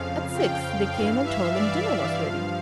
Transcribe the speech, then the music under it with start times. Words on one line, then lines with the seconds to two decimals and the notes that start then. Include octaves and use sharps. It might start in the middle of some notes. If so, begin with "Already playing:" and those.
At six, they came and told him dinner was ready.
Already playing: F2 C#3 F3 F5
0.36 G5
0.95 G2 E3 F5
1.25 E5
1.54 D5
1.83 E5
2.12 G2 F3 F5